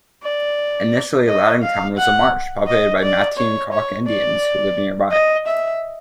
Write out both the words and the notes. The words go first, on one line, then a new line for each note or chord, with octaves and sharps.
Initially, Lattingtown was a marsh, populated by Matinecock Indians who lived nearby.
D5
D#5
F5
F#5
D#5
D5
C#5
C#5
D5
D#5
E5